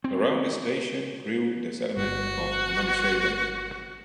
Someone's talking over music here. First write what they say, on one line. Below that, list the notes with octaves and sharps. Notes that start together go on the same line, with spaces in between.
Around the station grew the settlement of "Manduessedum".
C4
G1 F#4